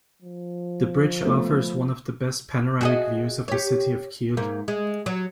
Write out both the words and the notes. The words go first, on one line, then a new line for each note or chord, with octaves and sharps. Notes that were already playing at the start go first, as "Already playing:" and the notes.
The bridge offers one of the best panoramic views of the city of Kiel.
F3
A3 B3
F#4 G#4 D#5
G4 C#5
G#2 A#3
G#3
F#3